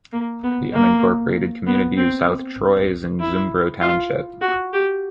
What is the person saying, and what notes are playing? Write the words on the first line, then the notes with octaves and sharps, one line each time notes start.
The unincorporated community of South Troy is in Zumbro Township.
A#3
B3
A#3
B3
C4
E4
F4
F#4
G4